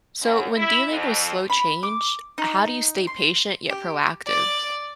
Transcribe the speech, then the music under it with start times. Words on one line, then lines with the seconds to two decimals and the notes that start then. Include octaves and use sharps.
So, when dealing with slow change, how do you stay patient yet proactive?
0.22 F#2
0.57 E4
0.90 F2
1.50 B5
1.83 D6
2.38 D#4
3.07 C6
3.70 G4
4.27 D5